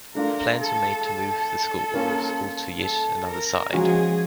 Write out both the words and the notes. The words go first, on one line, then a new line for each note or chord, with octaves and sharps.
Plans were made to move the school to yet another site.
A3 D4 F4 A#4
A4
A4
A#3 C#4 F4
A4
A#4
F3 G#3 C#4 F#4 G#4